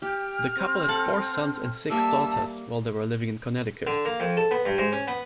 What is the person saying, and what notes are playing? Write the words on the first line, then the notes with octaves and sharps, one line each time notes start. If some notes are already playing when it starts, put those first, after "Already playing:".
The couple had four sons and six daughters while they were living in Connecticut.
G4 G5 F6
C4
A4 F#5 A5
G3 A#3 E5 A5 E6
D3
A#3
F2
A4
B3
G2
G#2
C#4
B3